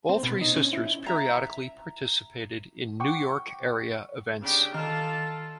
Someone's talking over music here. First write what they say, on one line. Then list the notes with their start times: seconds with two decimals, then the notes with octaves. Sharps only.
All three sisters periodically participated in New York-area events.
0.09 C4
0.23 B2
0.41 D#4
0.56 C#4
0.73 E4
1.06 E5 A#5
3.00 F#5 G5 C#6 D6
4.42 C#3 D4 G4
4.74 D#3 F4 A4 A5 F6